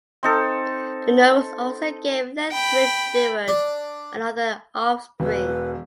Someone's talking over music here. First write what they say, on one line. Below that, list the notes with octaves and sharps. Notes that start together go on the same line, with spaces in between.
The novels also gave Lethbridge-Stewart another offspring.
C4 D#4 A4
G5 B5
D4
E1 B4